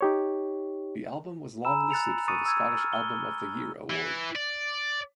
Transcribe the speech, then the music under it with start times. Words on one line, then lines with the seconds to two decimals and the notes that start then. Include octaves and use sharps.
The album was longlisted for the Scottish Album of the Year Award.
0.01 D#4 G4 C#5
1.65 G#5 A#5 B5 E6 E7
1.91 F#6 A6 C#7 F7
2.28 C#6 D#6 F#6 A6 C#7 D#7
2.46 E6 G#6
2.74 F6 A6
2.93 G7
3.90 E3
4.35 D5